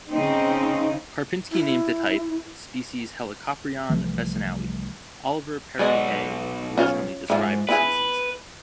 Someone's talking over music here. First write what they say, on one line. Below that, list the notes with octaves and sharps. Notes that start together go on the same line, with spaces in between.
Karpinsky named the type species "Helicoprion bessonowi"; Oliver Perry Hay originally described the species.
C#3 C4 D#4
E4
C2 E3 F3 A3
B1 G#3 F#4 D5 D#5
C#4 F4 C#5
G#2 F3 E4
B3 E4 G#4 B4